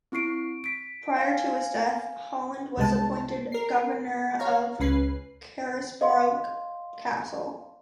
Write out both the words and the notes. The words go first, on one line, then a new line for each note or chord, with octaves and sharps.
Prior to his death, Holland was appointed Governor of Carisbrooke Castle.
C4 E4 C#6 C7 D7
B6 D7
F5 G#5
C2 C3 G#3 A5
A#4 C7
C#5 F5 A#5
C#2 C#4 B4 C7
D#5 F5 C6